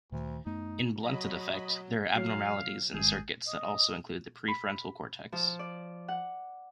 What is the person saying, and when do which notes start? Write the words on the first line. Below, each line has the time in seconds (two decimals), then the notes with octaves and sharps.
In blunted affect, there are abnormalities in circuits that also include the prefrontal cortex.
0.12 D2 A#2 D#3
0.46 F#2 A3 B3 D#4
1.03 F#3 D#5 B5
2.15 F#3 F5 C7
2.94 G#1 G#3 G#4 G6
3.47 D#5
4.48 B5
5.32 F3
5.59 D5
6.08 F#5